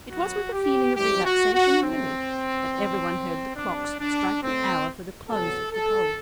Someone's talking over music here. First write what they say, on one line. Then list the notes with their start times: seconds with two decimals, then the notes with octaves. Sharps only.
It was with a feeling of relaxation and relief that every one heard the clocks strike the hour for the close of the poll.
0.09 F#2 F#3 B3 F#4
0.52 G4
0.95 G2 E3 G3 C4 G4
1.24 F#4
1.53 F#4
1.82 E2 C3 F#3 A3 C4
2.69 A2 E3 G3
3.55 C3 G3 C4 D4
3.99 D4
4.42 B2 F#3 A3 C4
5.29 C3 F#3 B3 A4
5.72 A4